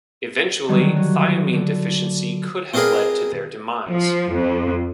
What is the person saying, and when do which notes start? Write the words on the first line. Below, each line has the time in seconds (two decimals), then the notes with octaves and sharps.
Eventually thiamine deficiency could have led to their demise.
0.68 D3 D#3 F#3 G3
0.96 F#3
1.53 D3
2.74 C4 D4 F4 G#4 A#4 B4
3.88 F3
4.32 F2